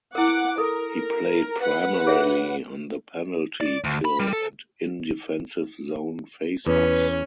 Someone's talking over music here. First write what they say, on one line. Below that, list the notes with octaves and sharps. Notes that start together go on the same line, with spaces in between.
He played primarily on the penalty kill and in defensive-zone faceoffs.
E4 A#4 F#5 D6
A4 A#4
B4 F#5
G#4 C#5 E5
D5
D2
B5
G3
A4
E2 C#4 B4